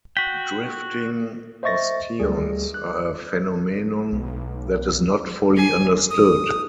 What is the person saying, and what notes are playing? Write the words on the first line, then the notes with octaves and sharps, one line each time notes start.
Drifting osteons are a phenomenon that is not fully understood.
F#4 G5 B6
C5 D#5 E5 C#6 A6 A#6
D2 G3 G#4
F#6
B1
G#5
D#6